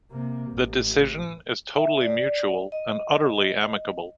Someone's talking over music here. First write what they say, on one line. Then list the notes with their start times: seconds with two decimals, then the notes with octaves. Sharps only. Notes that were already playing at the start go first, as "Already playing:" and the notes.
The decision is totally mutual and utterly amicable.
0.11 C3 A#3
0.51 A1
1.76 E5
2.01 D5
2.72 D#5